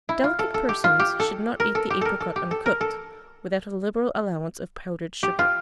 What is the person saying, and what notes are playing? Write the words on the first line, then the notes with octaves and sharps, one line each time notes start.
Delicate persons should not eat the apricot uncooked, without a liberal allowance of powdered sugar.
E4
F4
A4
A4
G4
F4
G4
A4
A#4
A4
G4
A4 A#4
A4
G4
A4
A#4
A4
G4
F4